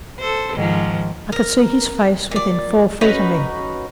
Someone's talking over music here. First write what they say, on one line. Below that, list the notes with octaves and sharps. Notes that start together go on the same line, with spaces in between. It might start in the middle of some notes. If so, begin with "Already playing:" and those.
I could see his face within four feet of me.
A4 C5
G#2 D#3 F3
A#4
A#2 D5
C#4 D#4 F#4 B4